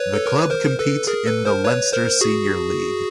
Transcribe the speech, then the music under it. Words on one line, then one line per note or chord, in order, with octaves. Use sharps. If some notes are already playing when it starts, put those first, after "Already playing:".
The club compete in the Leinster Senior League.
Already playing: B4 C#5
A4
A#4
B4
A#4 C5
A4 B4
G#4 A#4
A4 B4
A#4 C5
B4 C#5
A#4 C5
F#4 G#4